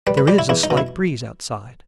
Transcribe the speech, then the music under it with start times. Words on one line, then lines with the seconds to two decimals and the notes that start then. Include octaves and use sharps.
There is a slight breeze outside.
0.07 G3 B4
0.17 B4
0.27 G3 G4
0.39 E4
0.49 E2 E4
0.63 D#4
0.70 B2
0.77 E4